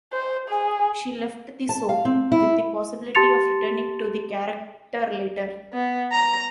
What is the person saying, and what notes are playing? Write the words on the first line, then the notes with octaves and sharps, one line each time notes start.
She left the soap with the possibility of returning to the character later.
C5
G#4
A5
F5
C4
E4
G4 A5 C6 A6 C#7 F7
B3
A#5